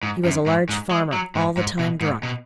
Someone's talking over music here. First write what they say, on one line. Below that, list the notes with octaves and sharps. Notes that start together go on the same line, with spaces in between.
He was a large farmer, all the time drunk.
G#2
F#2
G#2
G#2
G#3
F#3
G#2
G#2
B2
G#2
B2